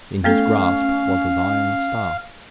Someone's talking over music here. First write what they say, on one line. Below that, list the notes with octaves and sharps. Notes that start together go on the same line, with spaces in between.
In his grasp was his iron staff.
A3 B3 C#4 A4 F5